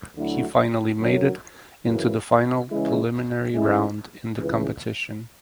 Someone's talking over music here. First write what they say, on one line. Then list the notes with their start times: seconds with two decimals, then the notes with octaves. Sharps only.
He finally made into the final preliminary round in the competition.
0.15 D2 D3 F#3 A3 E4
1.00 F#2 D3 F#3
1.84 F#2 C#3 E3
2.70 C#3 E3 G#3 C#4 E4
3.54 A2 G#3 C#4 E4
4.38 C#2 C#3 E3